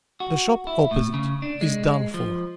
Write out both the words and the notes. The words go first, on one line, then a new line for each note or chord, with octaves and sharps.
The shop opposite is done for.
F#4
E4
A2
C#3
D4
G#3
F3